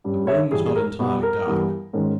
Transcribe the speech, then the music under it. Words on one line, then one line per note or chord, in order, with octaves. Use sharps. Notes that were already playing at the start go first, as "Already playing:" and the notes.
The room was not entirely dark.
G2 G3 C#4
C#5 E5
G2 E3 G3 G#4
G#4
A#4
B2 G3 B3
A#4
G2 E3 G3 B3
G#2 D#3 G#3 C#4